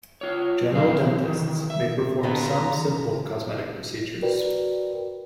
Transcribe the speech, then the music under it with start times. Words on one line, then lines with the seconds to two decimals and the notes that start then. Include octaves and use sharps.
General dentists may perform some simple cosmetic procedures.
0.21 F4 C#5
0.71 F#2 A#3 F5
0.90 E3 C4
1.22 D#3 E3
1.70 E5
2.23 G2 D3 B3 A#5
4.22 F#4 A#4 B4 D5 G5